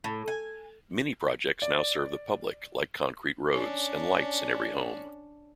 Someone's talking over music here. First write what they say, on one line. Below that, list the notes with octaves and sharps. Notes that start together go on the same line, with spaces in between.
Many projects now serve the public like concrete roads and lights in every home.
A2
G#5
D5
C#4 D4